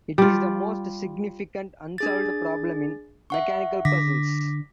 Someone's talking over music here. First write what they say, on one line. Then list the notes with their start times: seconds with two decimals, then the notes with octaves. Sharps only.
It is the most significant unsolved problem in mechanical puzzles.
0.18 G3 F4
1.98 D4 G#4 A6
3.30 E5 F#5 C#6
3.85 D3 D6 A#6 B6